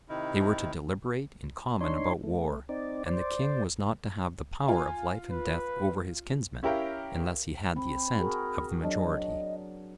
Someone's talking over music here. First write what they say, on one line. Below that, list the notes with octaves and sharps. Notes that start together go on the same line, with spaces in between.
They were to deliberate in common about war, and the king was not to have the power of life and death over his kinsmen, unless he had the assent of the majority.
C3 D#3 D#4 E4
D4 D#4 C#5 C6
A3
C4 D#4 D5
C5 D5
F4 G#5
B4
C#4 E4 G4 A#4 F5 G5
C4 B5
F#4 G#4 A#4
F#3 D4 D#5